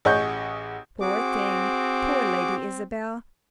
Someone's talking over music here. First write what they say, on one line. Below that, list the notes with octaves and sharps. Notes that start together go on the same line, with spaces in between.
Poor thing--poor Lady Isabel!
A1 G#4 D#5 F#5 C#6 G6
C4 F#4 G#4 D6